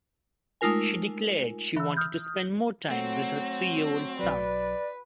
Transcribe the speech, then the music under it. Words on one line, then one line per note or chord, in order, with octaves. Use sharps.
She declared she wanted to spend more time with her three-year-old son.
G#3 A3 D#4 F4 A#4 G#5
E3 E6
D#6 F6 G6
F#3 A3 C4 F#5
B1 F#3 B4 D5